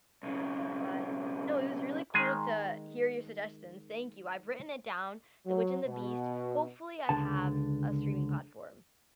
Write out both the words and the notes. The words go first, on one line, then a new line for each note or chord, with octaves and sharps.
but no, it was really cool to hear your suggestions. Thank you, I've written it down, The Witch and The Beast hopefully, I have a streaming platform
B1 C#3
D#3 G#3 G#4 G#5
F#3
B2
C#2 D3 A5